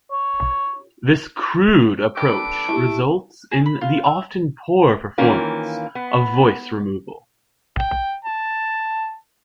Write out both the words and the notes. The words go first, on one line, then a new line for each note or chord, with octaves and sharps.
This crude approach results in the often-poor performance of voice removal.
C#5
D4 G4 A4 B4 D7
A3 E4 G4
G#4
B5
F4
E5
D#3 E3 A#3 C#4 F4
B3
G5
A5